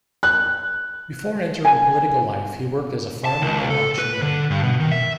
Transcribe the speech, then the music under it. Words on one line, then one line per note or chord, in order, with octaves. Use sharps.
Before entering political life, he worked as a farmer and auctioneer.
F#6
G#5
A5
C#2
A4
B4
D3
G2
B2
D#3
E5